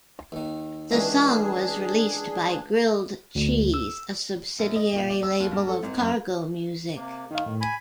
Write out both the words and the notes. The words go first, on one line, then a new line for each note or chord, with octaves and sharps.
The song was released by Grilled Cheese, a subsidiary label of Cargo Music.
D#2 D#3
C#2 D#3 E3 D4 G#4
D2
E6
A#1
D#5
A#2
D5
E6
D#2
G2
A4
G#1
F#2
C3 A#3
D#3 D#4 F5
A2
G#5 B5